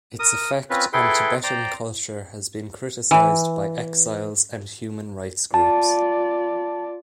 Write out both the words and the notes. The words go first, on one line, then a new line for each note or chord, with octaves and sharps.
Its effect on Tibetan culture has been criticized by exiles and human rights groups.
A#4 D#6
C4 C#4 F4 B4
E4 G#4 A4 B4 G5 C6
C5 D5 G5 A#5
E3
F4 D5 A5